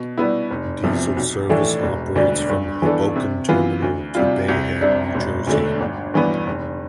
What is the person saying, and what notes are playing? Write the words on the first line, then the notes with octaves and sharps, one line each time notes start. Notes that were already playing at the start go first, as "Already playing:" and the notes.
Diesel service operates from Hoboken Terminal to Bay Head, New Jersey.
Already playing: B2
G3 B3 E4
F1
E2 C3 F3
B1
A2 E3 A3 D4
E1
D2 D3 G3 D4
G2
E3 B3 D4 A4
C3
E3 B3 F4
D2
C3 G3 C4 F4
C2
C3 G3 D4
E1
D2 D3 A3
G1
G2 E3 G3 B3
F1